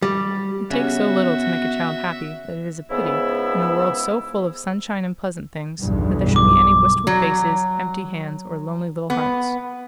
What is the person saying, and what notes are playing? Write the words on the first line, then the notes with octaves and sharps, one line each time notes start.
It takes so little to make a child happy that it is a pity, in a world so full of sunshine and pleasant things, that there should be any wistful faces, empty hands, or lonely little hearts.
G3
C#3 B3 C#4 F#4 E5
C#2 G#2 C#3 B3 E4 E6
B1 E2 G2
D6
F#3
B3